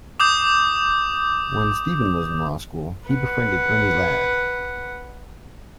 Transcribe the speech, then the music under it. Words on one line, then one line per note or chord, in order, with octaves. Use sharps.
When Stevens was in law school, he befriended Ernie Ladd.
D6 D#6 G6
B4 F#5